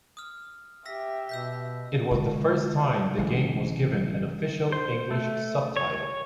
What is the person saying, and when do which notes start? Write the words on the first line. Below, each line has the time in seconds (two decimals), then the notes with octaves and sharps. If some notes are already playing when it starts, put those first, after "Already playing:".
It was the first time the game was given an official English subtitle.
0.17 D#6 F6
0.85 G4 E5 E6 A#6 B6
1.29 B2 E6 G6 B6
2.11 D3 G#3
3.18 A1 D3 G#3
4.72 C5
5.11 A3
5.76 C#5
5.94 C#5